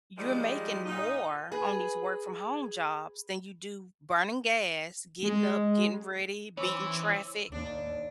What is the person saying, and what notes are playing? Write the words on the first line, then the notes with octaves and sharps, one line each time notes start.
you're making more on these work from home jobs than you do burning gas, getting up, getting ready, beating traffic.
D#3 F3 G3 G#3
A#2 D#4
G#4 B4
G#3
E3 C#4 C5 C#5 C#6 D6 E6
D#2 D4